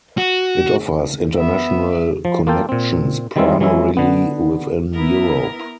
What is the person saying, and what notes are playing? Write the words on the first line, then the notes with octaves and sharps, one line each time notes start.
It offers international connections primarily within Europe.
F#4
B3 E5
F3
A#3 F4 A4 G5
A#2 C4
D#3 G3 G#3 C4 E4 F4
E3 F#3 G#3 C#4 E4
D3 B3
B3 E4 A#4